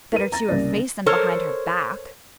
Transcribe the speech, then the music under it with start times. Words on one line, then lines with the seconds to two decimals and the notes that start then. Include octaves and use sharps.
"Better to her face than behind her back."
0.13 A#4 B4 D#7
0.32 A#5 A6 A#6
0.49 C2 C#3 A#3 D5
1.06 A4 A#4 C5 C#5